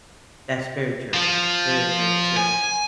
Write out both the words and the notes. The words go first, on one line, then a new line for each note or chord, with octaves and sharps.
That's very true. Very, very true.
F3
G#5